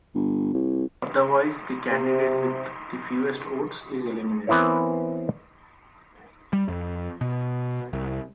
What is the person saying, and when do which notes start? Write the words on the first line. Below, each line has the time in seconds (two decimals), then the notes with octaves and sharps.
Otherwise, the candidate with the fewest votes is eliminated.
0.14 G1
0.53 C2
1.90 C3
4.47 E3 B3 C4 E4 A#4 C#5
6.53 G3
6.68 F2
7.21 B2
7.93 C2